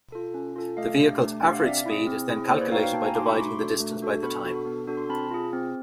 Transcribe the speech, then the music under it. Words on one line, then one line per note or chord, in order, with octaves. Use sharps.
The vehicle's average speed is then calculated by dividing the distance by the time.
F4 A4
C#4
F4 A4
A3 D#5 F5
D4 G4
A3
D4 G4 F#5
F5
C4 D5 E5
E4 G#4
C4
E4 G#4
A#3 C5 D5
B4 C#5
D#4 F#4 F5 G5
F5 G5
A#3 G5 A5
G#5 A#5
D#4 F#4 C6 D6
B5 C#6
A3 C6 D6
D4 F#4 A4
A3
D4 F#4 A4
B3 B5 C#6
D4 F#4 A4
B3
D4 F#4 A4
C6
C4 A5 B5
F4 G#4
C4